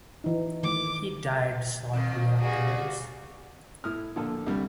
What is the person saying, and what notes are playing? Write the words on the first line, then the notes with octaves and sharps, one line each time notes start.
He died shortly afterwards.
E3 D#4
D#3 E3 A3 D6
F2 D#3
G2 A#2 F#4 G#4
A2 E4 D#6 F6
A#2 D3 F3 F4 A4
C2 D3 G3